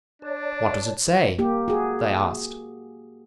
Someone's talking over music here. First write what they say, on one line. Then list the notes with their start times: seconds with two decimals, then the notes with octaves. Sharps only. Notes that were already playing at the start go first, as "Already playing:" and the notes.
"What does it say?" they asked.
0.22 D4 C#5 D5 A5
1.39 A#3 G4
1.68 F#4 G#4